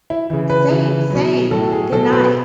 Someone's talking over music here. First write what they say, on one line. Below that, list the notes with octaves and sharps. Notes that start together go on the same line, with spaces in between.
Same, same, good night.
E4
C#3 E3
B4
C#3 E3
B2 F#3
A2 F#3 A4
G#4
B2 F#3 A4
B4